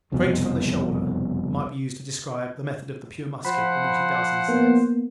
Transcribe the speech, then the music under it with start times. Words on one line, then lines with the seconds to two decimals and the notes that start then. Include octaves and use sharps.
"Straight from the shoulder" might be used to describe the method of the pure Muscular in what he does and says.
0.12 F#1 C2 F2 B2
3.45 F3 C5 F#5 B5
4.48 A#3 B3